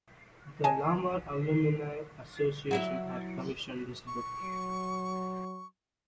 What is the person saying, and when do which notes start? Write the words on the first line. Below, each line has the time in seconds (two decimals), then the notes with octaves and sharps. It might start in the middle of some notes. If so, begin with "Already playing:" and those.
The Lamar Alumni Association had commissioned this book.
0.64 D#5 G#5 A5
2.71 F#3 E4 E5
4.07 C#6
4.43 F#3